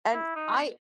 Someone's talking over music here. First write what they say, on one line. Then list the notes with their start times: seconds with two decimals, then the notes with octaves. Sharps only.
And I
0.13 E4
0.35 D#4